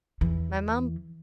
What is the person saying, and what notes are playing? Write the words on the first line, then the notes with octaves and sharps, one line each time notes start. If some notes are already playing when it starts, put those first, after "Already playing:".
my mom,
E2 E3